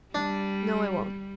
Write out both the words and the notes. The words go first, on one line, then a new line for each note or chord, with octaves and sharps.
No, I won't.
G3 D4